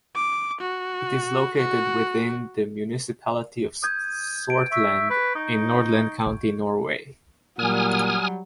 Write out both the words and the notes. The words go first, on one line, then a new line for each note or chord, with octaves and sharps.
It is located within the municipality of Sortland in Nordland county, Norway.
D6
F#4
F#4
D#6 G6 G#6
D7
E5 C#6
B4
D#4
A#2 F#3 G3 G#5 D#6 F6